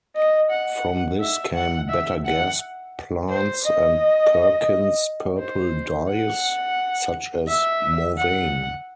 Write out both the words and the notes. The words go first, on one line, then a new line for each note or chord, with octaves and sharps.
From this came better gas plants and Perkin's purple dyes, such as Mauveine.
D#5
F#5
E5
F#5
E5
F#5
C5
D#5
C5
F#5
E5
F#5